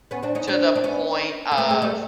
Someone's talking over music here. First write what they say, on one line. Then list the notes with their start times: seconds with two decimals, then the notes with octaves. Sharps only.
to the point of,
0.11 B3 C#4
0.23 C4 D4
0.35 C#4 D#4
0.47 C4 D4
0.75 D4
0.84 B3 C#4
1.52 A#3
1.58 A3 B3
1.69 G#3 A#3
1.82 G3 A3